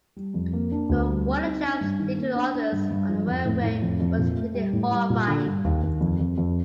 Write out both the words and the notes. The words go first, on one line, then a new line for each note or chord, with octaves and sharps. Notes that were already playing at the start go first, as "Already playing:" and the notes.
But what the Japs did to the others on the railway was pretty horrifying.
G3
F2
A#3
D4
D2
G3
C4
D#4
D4
G2
D#3
A#3
D4
D4
G2
G2
F3
F2
A2
A2
F2
F2
A#2
A3
G3
A2
G3
A#2
D3
G2
D#2
D#2
F2
F2
F2